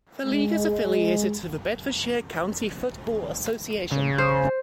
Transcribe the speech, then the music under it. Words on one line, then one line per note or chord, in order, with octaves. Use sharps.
The league is affiliated to the Bedfordshire County Football Association.
G#3
C#3
C5